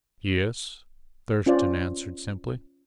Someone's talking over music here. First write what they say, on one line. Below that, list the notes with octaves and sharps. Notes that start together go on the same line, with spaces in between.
"Yes," Thurston answered simply.
C#4 F4 C5 D5